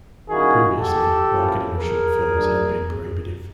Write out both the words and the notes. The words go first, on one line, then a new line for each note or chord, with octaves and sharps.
Previously, marketing of short films had been prohibitive.
D#3 G3 A#3 C#4 E4 F#4 G#4
G4 A4
F3 A#3 C#4 E4
G#4 A#4
F#3 A3 D4